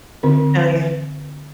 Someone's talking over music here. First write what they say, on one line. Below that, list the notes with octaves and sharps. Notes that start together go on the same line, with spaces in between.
Oh, yeah.
D3 C4 A#4